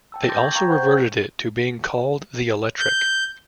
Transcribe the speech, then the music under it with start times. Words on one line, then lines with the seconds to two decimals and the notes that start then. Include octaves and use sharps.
They also reverted it to being called the Electric.
0.12 G5 A5 E6
0.28 A5 C6 D6 G6 A6 A#6
0.43 C#6 G6 G#6
0.55 F5 G5 A#5 C#6
0.68 C5 F#5 G5 G6
0.83 G#4
2.80 G6